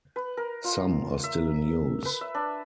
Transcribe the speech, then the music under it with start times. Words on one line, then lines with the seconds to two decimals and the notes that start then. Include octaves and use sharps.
Some are still in use.
0.16 B4
0.37 A#4
0.64 F4
1.24 E5
2.05 B4
2.21 E5
2.35 D4